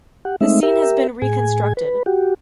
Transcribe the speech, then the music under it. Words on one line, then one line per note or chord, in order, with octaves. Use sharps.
The scene has been reconstructed.
G4 F#5
G#3 A3 C4 D#4 E5
G4 A#4 E5
A2 G#4 G#5
B4
F#4 G4